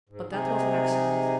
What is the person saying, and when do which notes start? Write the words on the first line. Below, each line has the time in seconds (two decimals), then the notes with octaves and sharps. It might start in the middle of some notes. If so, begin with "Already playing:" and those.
But that was an accident.
0.09 G#2
0.31 C3 D#4 G#4